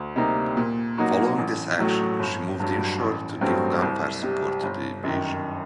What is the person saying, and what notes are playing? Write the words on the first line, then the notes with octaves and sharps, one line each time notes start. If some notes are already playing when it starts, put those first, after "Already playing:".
Following this action, she moved inshore to give gunfire support to the invasion.
Already playing: D2
C3 G3 A#3 D#4
A#2
F#3 A#3 D#4 F#4
A1
A2 F#3 A3
G1
G2 F#3
A1
G2 F#3 A3 C4
C2
C3 G3
G1
F#2 D#3